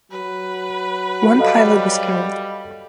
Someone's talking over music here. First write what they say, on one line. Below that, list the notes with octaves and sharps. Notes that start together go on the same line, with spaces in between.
One pilot was killed.
F#3 B4
G3 A4 D#5 F5